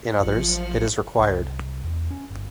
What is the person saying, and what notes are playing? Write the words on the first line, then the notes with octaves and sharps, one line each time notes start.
In others it is required.
A1 F3 F#3 F4
C2
E2
C#4
G1